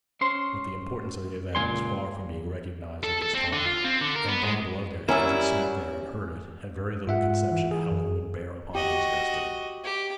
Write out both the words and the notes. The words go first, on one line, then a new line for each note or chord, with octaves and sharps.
But the importance of the event was far from being recognized at this time; and Bob Loveday, as he sat there and heard it, had very little conception how it would bear upon his destiny.
C#4 C5 C6
C#2 A#2 C4 G#5 C6
A4
A4
C4
D3
F4
C4
D3
A#4
B3
G#3
F#3 G3 C#4 E4 A#4 G#5 E6
G#2 F4 E5 F#5
E3
G#4
F#2
F#4 G4 D#5
G4